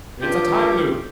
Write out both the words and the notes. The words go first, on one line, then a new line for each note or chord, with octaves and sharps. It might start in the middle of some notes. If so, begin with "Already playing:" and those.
It's a time loop!
G2 F4 G4